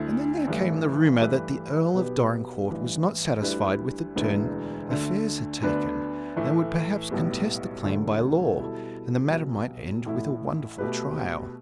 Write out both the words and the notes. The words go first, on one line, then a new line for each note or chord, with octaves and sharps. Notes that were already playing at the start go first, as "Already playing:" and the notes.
And then there came the rumor that the Earl of Dorincourt was not satisfied with the turn affairs had taken, and would perhaps contest the claim by law, and the matter might end with a wonderful trial.
Already playing: D2 D3 A3 E4
A1 G2 E3 A3
G2 E3 A3 G4 B4
B1 B2 B3 G4
A1 G2 E3
D2 D3 G3 E4 B4
E1 D2 D3 B3 E4
D2 D3 A3
D2 D3 B3 D4 B4
A2 E3 A3
B1 A2 G3 B3
E1 D2 D3 A3
B2 G3 E4 A4
B1 B2 G3
A1 A2 A3 E4
B2 A3 G4 B4